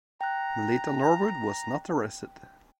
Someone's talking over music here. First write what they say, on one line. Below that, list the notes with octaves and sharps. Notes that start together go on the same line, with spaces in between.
Melita Norwood was not arrested.
G5 A#5 F#6